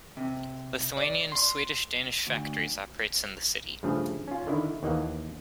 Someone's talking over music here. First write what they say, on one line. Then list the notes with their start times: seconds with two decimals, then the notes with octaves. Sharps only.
Lithuanian, Swedish, Danish factories operates in the city.
0.17 C3
0.97 D5
1.32 C6
2.27 D2
3.83 G2 C#3 F3 A3 G#4
4.28 C#4 F4
4.47 D3 D#3 E4
4.83 D#2 E3 A#3 D#5 F#5